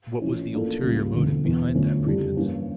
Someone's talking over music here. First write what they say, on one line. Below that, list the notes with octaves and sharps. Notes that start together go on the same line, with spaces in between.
What was the ulterior motive behind that pretence?
A1 A2 F3 C#4
A2 F3 A#3 D4 A4
C#2 C#3 G3 A#3
E1 D2 D3
E1 E2 E3
D2 D3 F3 A3 C#4
F2 C#3 G3 D4 G4
G2 E3 A#3 C#4